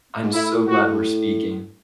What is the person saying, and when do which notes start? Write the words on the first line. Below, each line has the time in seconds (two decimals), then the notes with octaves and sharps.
I'm so glad we're speaking.
0.23 G#2
0.33 A2 E4
0.68 F#4